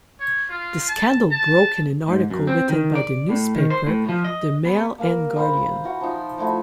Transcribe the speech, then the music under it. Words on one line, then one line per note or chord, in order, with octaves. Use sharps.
The scandal broke in an article written by the newspaper the Mail and Guardian.
C#5
F4
A5
A5
G#2
F#2
C4
D#3
D5
A2
D#3
C5
A2
F3
D#5
B3
A#3 A#4
C5 F5 A#5 B5
E3 F#4
F3 D#4
F3 A3 E4 F#4